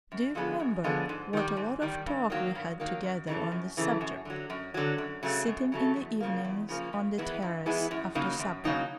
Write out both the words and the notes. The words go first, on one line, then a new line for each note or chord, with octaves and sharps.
Do you remember what a lot of talk we had together on this subject, sitting in the evenings on the terrace after supper?
F#2
D3 F3 G#3 B3
F#2
D3 F3 G#3 B3
G#2
D#3 G3
G#2
D#3 G3
G2
D#3 F#3 A#3
G2
D#3 F#3 A#3
F#2
C#3 E3 A3
F#2
C#3 E3 A3
F#2
D3 F#3
F#2
D3 F#3
F#2
C#3 F#3 A3
F#2
C#3 F#3 A3
E2
C#3 F3 A#3
E2
C#3 F3 A#3
G2
E3 G#3 B3 E4
G2
E3 G#3 B3 E4
F#2
C#3 F#3 A#3 D#4
F#2
C#3 F#3 A#3 D#4